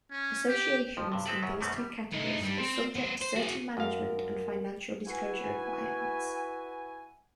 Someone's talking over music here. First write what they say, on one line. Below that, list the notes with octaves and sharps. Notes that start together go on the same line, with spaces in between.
Associations in these two categories are subject to certain management and financial disclosure requirements.
C#4
G4
F2 F3
G2 C3
G#3 C4 A4 B4 D5
F#2 F#3 C#4
F#2 B2 G3 A3 B3 C4
G3
A3 D#4
G2 G3
C4 C5
B3 C5
C5
F#4 G#4
F#2 A#4 F5
E4 F#4 B4 G#5